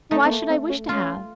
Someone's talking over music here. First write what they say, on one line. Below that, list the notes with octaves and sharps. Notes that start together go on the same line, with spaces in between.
Why should I wish to have?
A3 D#4
C4
A#3
C4
C#4
C#4 F4